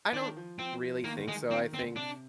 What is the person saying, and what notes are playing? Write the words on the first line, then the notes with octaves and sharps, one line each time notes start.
I don't really think so. I think
D#3 D4
F3
F3 C4
F3
D#3 A#3
D3
D#3 G#3
D#3 C4
D3 C4
A#2
C3 D4